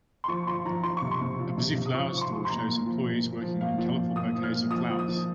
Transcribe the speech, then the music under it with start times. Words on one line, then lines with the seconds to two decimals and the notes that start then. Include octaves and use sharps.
A busy flower store shows employees working and colorful bouquets of flowers.
0.24 C6
0.28 F3 C#6
0.47 F3 C6
0.65 F3 A#5
0.83 F3 C6
0.97 C#6
1.02 C3
1.11 C6
1.21 C3
1.39 F3
1.57 C3
1.75 C3
1.86 D#6
1.94 F3 C#6
2.12 F3
2.18 C#6
2.21 C6
2.32 F3
2.45 C6
2.49 A#2 A#5
2.68 A#2
2.86 F3
3.05 A#2
3.24 A#2
3.42 F3
3.60 A#2 F5
3.78 F3
3.97 A#2
4.16 A#2 D#6
4.35 F3
4.43 F6
4.52 A#2
4.71 F3 D#6
4.89 F3
4.99 D#6
5.08 F3